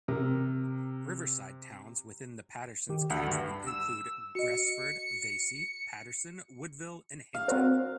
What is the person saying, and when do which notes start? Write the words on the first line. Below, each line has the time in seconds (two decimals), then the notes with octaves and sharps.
Riverside towns within the Paterson's catchment include Gresford, Vacy, Paterson, Woodville and Hinton.
0.08 C3 A#4
2.89 D#3 G4
3.10 D2 F#5
3.27 G2
3.66 E6
4.35 F#4 D#5 C#7
7.34 F5
7.48 C4 F#4 A#4 C5